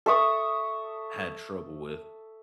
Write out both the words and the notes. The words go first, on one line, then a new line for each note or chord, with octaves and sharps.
had trouble with,
A4 E5 C#6 D#6